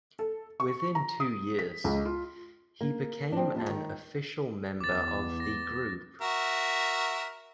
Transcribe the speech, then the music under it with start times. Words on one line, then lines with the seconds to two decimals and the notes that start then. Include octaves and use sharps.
Within two years, he became an official member of the group.
0.19 A4
0.60 C#6
0.95 A#5
1.20 D#6
1.59 B6
1.84 C#2
2.05 F4
2.81 A#3
3.32 C4 D4
3.55 D#2 F4 A5
3.70 D#3
4.81 E2 D6 A6
5.40 A#6
6.21 F#4 A#4 E5